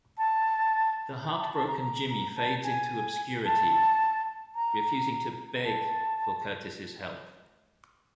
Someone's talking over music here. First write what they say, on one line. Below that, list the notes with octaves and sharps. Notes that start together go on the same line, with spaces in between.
The heartbroken Jimmy fades into obscurity, refusing to "beg" for Curtis' help.
A5
A5
A#5
A5
A5
A#5
A#5
A#5
A5
G#5
A5
A#5
A5